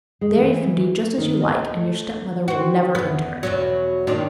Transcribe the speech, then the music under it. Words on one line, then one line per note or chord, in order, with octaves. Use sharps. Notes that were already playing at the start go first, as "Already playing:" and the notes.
There you can do just as you like, and your step-mother will never enter it.'
G#3
E3
D#3
D#5
A3
C4 F#4
E2 B3
E2 B2 F#3
A#2 D#3 D4